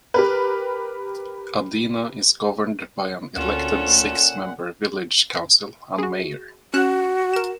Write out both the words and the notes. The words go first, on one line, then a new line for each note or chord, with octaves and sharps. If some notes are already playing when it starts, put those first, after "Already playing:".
Adena is governed by an elected six member village council and Mayor.
G4 A#4 B4
D2 A#2 C#4 F4 A4 F#5 E7
F#4 G#4
C#4 F#4 F#6 E7
A#4 E7